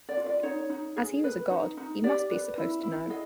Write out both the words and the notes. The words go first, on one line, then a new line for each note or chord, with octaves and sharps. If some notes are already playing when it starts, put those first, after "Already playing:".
As he was a god, he must be supposed to know.
D5
F4
D5
D#4 C#5
D#4
G#4
B4
D#4
D#4
G4 D5
B4
E4
E4
G#4 D#5